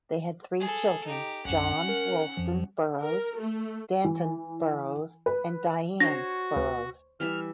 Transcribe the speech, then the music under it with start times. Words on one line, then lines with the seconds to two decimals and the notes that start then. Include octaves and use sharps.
They had three children, John Ralston Burroughs, Danton Burroughs, and Dian Burroughs.
0.60 G#4 A4
1.06 D#4 G4
1.45 B1 F#2 C#4 F#5
1.89 A#4
2.37 F2 F3
3.03 A#4
3.39 A3
4.04 E3
5.26 B4
6.00 D4 F#4 C5 C#5 A#6
6.56 D2 B4
7.20 E3 G3 E5 F6